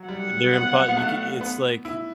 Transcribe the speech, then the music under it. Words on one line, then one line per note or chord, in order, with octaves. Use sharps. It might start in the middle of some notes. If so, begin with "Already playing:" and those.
uh, they're in part you ca it's, like
Already playing: F#3
G3 F#5
B3
B3
A3
B3
E4